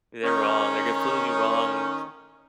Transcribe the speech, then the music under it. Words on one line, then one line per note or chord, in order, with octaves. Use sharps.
They're wrong, they're completely wrong,
D#3 C#4